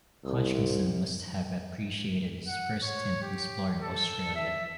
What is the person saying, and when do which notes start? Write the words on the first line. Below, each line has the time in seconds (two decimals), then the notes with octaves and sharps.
Hodgkinson must have appreciated his first stint exploring Australia.
0.24 C2
2.48 F#5
2.83 C#5
3.22 G4
3.80 A4
4.35 E5